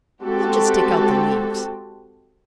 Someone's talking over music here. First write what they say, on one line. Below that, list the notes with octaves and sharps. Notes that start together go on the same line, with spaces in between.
We'll just take out the leaves.
G#3 C4 F#4 G4 A4